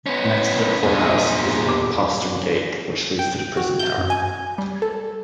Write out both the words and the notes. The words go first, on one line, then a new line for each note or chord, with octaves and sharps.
Next to the poorhouse is the Postern Gate, which leads to the Prison Tower.
B3 C#4
E2 A#2 G#4
D#1 E2 D6
G5
F#4
G6
F#2
G#5
G3
A4